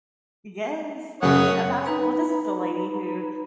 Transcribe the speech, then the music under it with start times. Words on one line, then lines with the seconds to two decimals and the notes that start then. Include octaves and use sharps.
Yes. And about a Well, this is a lady who
1.23 F#2 C#3 C#5 F#5 D#6
1.85 D#4 B4 A#5 B5